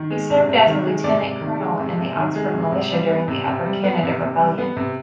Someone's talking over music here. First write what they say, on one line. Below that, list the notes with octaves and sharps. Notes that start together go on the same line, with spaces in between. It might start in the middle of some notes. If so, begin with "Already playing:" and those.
He served as a lieutenant-colonel in the Oxford militia during the Upper Canada Rebellion.
Already playing: D#3
G#3
C3
C3
D#3
G#3
C3 D5
C3
D#3
G#3
C3
C3
D#3
G#3
C3
C3
G3
B3
C3
C3
G3
B3
C3
C3
G3
B3
C3